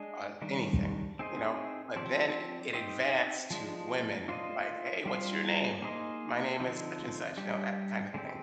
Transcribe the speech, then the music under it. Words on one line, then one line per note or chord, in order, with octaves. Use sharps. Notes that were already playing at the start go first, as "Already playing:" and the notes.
uh, anything, you know; but then it advanced to women, like, "Hey, what's your name? My name is such and such," you know, that kind of thing.
Already playing: G#3 D4 G#4 D#5
D#3 G3 D4
C4 D#4 G#4 C5 D#5
F3 C4 G4 D5
C4 D#4 G4 C5
F3 G#3 D4
D4 F4 C5 D#5
G3 D4 F4 C5
A#3 D#4 G#4 C5 D#5
D3 F3 C4 D#4
G3 D4 G4
D3 G#3 C4 G4